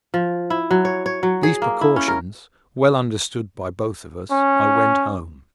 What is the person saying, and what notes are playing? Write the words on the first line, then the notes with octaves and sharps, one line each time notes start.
These precautions well understood by both of us, I went home.
F3
E4
F#3
C#5
C#5
F#3
G#4
A#3
E4
C#4
A#4
C#4